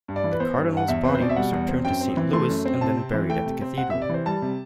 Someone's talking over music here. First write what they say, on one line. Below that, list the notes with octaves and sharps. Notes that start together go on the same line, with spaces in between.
The Cardinal's body was returned to Saint Louis and then buried at the Cathedral.
G2
D5
E3
B4
B3 C5
G2
G2 F#5
E2 E5
C4 B4
C5
B2 D5
E5
G3 F#5
E2
C4
F#2 G5
C4
E3
A3 C6
F#2
C4
C3 A5
C4
E3
A3 G5
C3
C4
C3 F#5
E5
C3
D5
E3 C5
G3 A5
C3